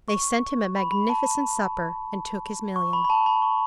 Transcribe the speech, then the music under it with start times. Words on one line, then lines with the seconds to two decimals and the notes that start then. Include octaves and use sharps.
They sent him a magnificent supper, and took his million.
0.08 C#6
0.76 B5
0.92 B5
1.09 A5
2.76 C#6
2.93 B5
3.05 B5
3.10 A5
3.26 B5
3.42 C#6